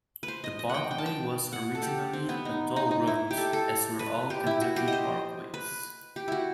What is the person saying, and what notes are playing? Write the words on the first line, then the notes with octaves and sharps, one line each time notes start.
The parkway was originally a toll road, as were all Kentucky parkways.
B4
C5
D#5
D#5
F#5 G5
G5
A5
G5
F#5
A4
G4
C4
B3
D#4
D#4
D#4
E4
G4
A4
A4
B4
G4
E4
F#4
G4
D#5
C5
B4
G4
E4 F#4